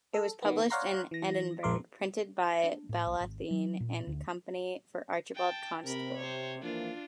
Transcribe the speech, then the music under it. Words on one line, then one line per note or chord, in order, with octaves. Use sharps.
It was published in Edinburgh, printed by Ballantyne and Company for Archibald Constable.
A4
D#3 B3
C#5 D5 F5 F#5 A#5 C6
E3 A#6
A#1 F2 G#3 A#4 C6 D6
D4
A2
B1
G#1
F#3
A#2
D2
G5 A5
C3 A#4 B5
C5 C#5
E3 F3 A#3 D4 F4